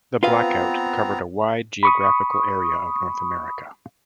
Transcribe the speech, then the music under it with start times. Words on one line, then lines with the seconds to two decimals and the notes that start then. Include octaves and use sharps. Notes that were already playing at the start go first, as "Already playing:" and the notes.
The blackout covered a wide geographical area of North America.
0.23 B3 C4 F4 B4 F5 A#5
1.83 B5 C#6 D#6